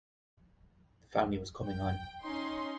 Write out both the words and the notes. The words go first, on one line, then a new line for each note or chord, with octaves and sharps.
The family was coming on.
G5
C#4 D#4 C#5 C6